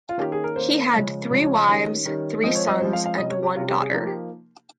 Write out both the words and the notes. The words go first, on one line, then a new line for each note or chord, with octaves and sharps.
He had three wives, three sons, and one daughter.
F4
D#3 A#3 C#4 G4
G#4
A#4
D#3 A#3 C#4 C5
C#3 F3 G#3 C#4
C#3 F3 G#3 C#4 C#5
C#5
D#5
D#3 G3 C#4 D#5
D#3 G3 C#4
F3 G#3 C4 D#5
C#5
D#5
F3 G#3 C4 C5
F5
F5
C3 G3 C#4 D#5
C#5
G4
C3 G3 C#4 F4
G4
G#4
F3 A#3 D#4 G4
G4